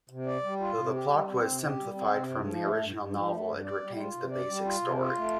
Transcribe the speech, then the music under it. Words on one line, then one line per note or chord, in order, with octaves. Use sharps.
Though the plot was simplified from the original novel, it retains the basic story.
C3
D5
G3
F4
C3
G4
G3
C4
C3
G4
G3
C4
C3
G2
F3
A3
G2
G2
F3
A3
G2
D5
G3
F4
C3
D5
G3
F4
C3
F4
A3